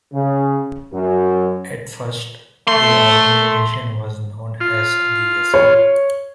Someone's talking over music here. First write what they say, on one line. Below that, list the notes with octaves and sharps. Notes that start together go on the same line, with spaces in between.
At first, the organisation was known as the "DsU".
C#3
F#2
A3 C6
F4
C#5